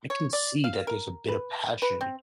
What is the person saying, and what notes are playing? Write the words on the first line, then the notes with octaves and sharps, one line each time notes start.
I can see that there's a bit of passion
C#5
D5
F5
A#4
B4
B4
C4